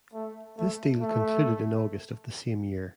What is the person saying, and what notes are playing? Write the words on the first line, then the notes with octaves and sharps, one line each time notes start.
This deal concluded in August of the same year.
A3
A3
A3